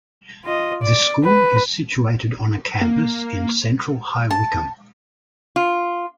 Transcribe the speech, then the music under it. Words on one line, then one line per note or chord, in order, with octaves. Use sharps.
The school is situated on a campus in central High Wycombe.
F4 D#5
D5
B4
A#3
A5
F4